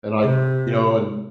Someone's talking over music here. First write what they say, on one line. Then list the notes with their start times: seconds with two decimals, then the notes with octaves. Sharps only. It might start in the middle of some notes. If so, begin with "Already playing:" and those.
and I you know, and
0.23 C3